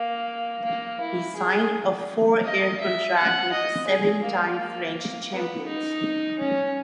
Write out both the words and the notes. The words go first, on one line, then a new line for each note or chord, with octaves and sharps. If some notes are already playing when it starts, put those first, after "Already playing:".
He signed a four-year contract with the seven time French champions.
Already playing: A#3
A#3
E4
G#4
D#5
E5
F#5
D#5
G#4
A#3
B3
D#4
C#4